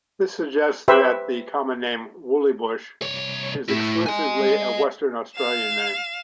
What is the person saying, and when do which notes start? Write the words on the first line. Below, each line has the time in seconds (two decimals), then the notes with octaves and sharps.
This suggests that the common name "woollybush" is exclusively a Western Australian name.
0.88 G4 B4 C5 E5
3.02 C2 C#5
3.69 A2 E4
4.06 D#5 G#5
5.36 F5 E7